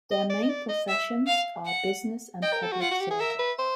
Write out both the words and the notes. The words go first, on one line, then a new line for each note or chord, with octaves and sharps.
Their main professions are business and public service.
D#5
D5
D#5
D5
D#5
E5
F5
F#5
D#5 G5
A#4
A4
F#4
F4 F#5
F#4
G4
G#4
A#4 E5
B4
C5